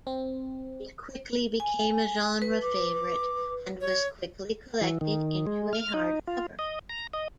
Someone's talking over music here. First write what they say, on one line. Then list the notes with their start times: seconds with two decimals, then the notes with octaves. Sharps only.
It quickly became a genre favorite, and was quickly collected into a hardcover.
0.07 C4
1.60 G#5
2.42 B4
2.63 D6
3.81 C#5
4.81 E3
5.01 D#3
5.47 G#3
5.73 F6
5.94 D#4
6.27 F4
6.59 D#5
6.89 A#5
7.13 D#5